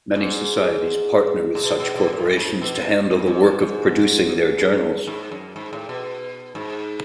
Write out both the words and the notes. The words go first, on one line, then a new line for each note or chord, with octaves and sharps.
Many societies partner with such corporations to handle the work of producing their journals.
G#2
A2
B2
B2
B2
A2
G#2
B2
F#2
G#2
G#2
G#2
F#2
G#2
F#2
G#2
A2
B2
G#2